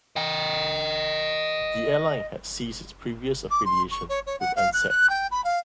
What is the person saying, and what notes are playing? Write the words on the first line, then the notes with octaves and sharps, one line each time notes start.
The airline had ceased its previous affiliation with Ansett.
D#5 G5
D6
C6
C#6
C#5
C#5
F#5
F5
F#6
F#6
G5
B5
F5